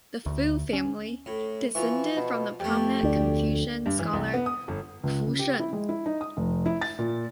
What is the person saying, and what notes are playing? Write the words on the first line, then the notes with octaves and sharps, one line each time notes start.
The Fu family descended from the prominent Confucian scholar Fu Sheng.
D2
C#4
A2
E3 F3 C#6
B2
F2 A3 G4
D2 D4
G2
E3
C2
B3
D#6
G1
C#2
C#3
G4
E4
G#3
E4
D#4
D#6
F1
E4
A6
A#2